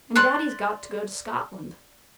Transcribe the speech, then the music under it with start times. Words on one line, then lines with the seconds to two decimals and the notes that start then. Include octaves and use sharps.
'And daddy's got to go to Scotland.
0.16 D5 C6 F#6